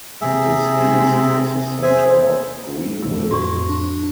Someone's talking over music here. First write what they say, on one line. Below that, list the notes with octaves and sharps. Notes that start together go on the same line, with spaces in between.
It is east of the center of Greenville.
C3 G#4 E5
G#4 C5 E5 G#5
F2 E6
A2 F#4 C#6
D4